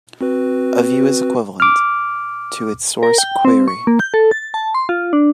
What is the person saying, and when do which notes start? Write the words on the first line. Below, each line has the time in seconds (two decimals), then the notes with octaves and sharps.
A view is equivalent to its source query.
0.21 C4 F#4 B4
1.60 D6 F6
3.03 A#4
3.18 G5
3.45 C4
3.68 C#6
3.87 A#3
4.00 G6
4.14 A4
4.31 A6
4.54 A5
4.75 C6
4.89 F4
5.13 D4